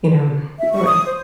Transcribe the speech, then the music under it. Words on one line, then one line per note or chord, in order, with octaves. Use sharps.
You know, that would
E5
C#6
D#6
C5